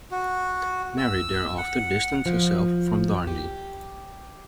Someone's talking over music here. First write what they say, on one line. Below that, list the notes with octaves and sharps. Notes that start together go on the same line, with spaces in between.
Mary thereafter distanced herself from Darnley.
F#4
E6
F#5
F3
G4